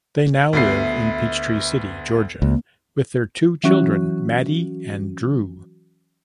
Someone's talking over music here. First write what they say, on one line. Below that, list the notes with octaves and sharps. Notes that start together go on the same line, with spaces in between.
They now live in Peachtree City, Georgia, with their two children, Maddie and Drew.
D2 B3 E5 C7
C#2 A#3
E3 F#3 C#4 F#4